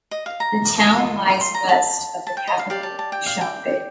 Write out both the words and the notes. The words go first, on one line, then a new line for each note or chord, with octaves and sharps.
The town lies west of the capital Dushanbe.
D#5
F5
A#5
F4 A4 D#5
C6
A#5
A5
A5
G5
D#5
F5
G4 D5 F5
A5
A5
G5
F5
G5